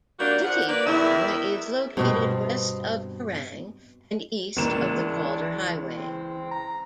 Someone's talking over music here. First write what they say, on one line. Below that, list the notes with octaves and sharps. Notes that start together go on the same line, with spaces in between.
Tittybong is located west of Kerang and east of the Calder Highway.
G3 A#3 D4 F#4
F3 F#5
A#3 B4 D5
E2 D#3 E4 E5
G2 B2 C4
C#2 E3 A#3 D4 E7
C4
A#5